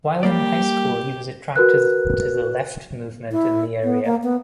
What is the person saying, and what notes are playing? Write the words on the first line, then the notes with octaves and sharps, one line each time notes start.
While in high school he was attracted to the Left movement in the area.
G3 A#3 G4 D5
F#4 A#4 B4 F#6
E4
B3
A#3
B3